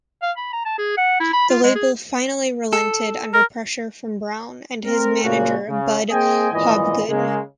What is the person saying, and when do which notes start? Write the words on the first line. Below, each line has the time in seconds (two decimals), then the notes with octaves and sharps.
The label finally relented under pressure from Brown and his manager Bud Hobgood.
0.22 F5
0.37 B5
0.53 A#5
0.65 A5
0.78 G#4
0.97 F#5
1.20 E4
1.33 B5
1.50 F4
1.64 G#3
1.75 G#4
2.73 A4
3.34 A#4
4.85 C4 A#4
5.22 A#2 C#3 A#3 C4 C#4 F#4
5.68 C#3
6.10 A#3 C4 G#4 D#5 G5 G#5
6.52 G#1 A#2 E3 D#5
7.08 C#3 G#3 A#3